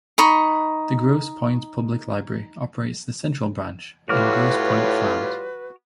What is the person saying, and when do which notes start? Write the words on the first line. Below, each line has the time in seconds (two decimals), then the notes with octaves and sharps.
The Grosse Pointe Public Library operates the Central Branch in Grosse Pointe Farms.
0.18 D#4 B5 C#6
4.09 A2 G3 F4 F#4 B4 C#5 D6 F6